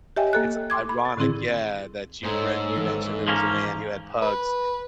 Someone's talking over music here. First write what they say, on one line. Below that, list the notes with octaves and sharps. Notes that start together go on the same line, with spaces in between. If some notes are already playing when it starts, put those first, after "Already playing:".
it's ironic, yeah, that you bren you mentioned there was a man who had pugs.
G4 C#5 D#5 E5 G5 G#5
A#3 A4 F#6
C6 D6 G#6
B5
A6
A2 D3 D#3 C4 E4 G#4
G#2 A4 C5 C#5 G#5
G#1 E3 A#3
F3 A#3 C#4 A#5
B4